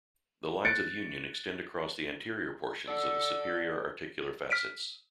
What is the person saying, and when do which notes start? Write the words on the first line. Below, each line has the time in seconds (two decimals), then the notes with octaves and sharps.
The lines of union extend across the anterior portions of the superior articular facets.
0.65 F#6 A6 C#7 D7
2.88 A4 D5 F#5
4.50 F6 B6 D7 D#7